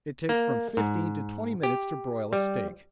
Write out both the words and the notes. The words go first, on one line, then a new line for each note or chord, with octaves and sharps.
It takes from fifteen to twenty minutes to broil a steak.
A#3
G#2
G4
G3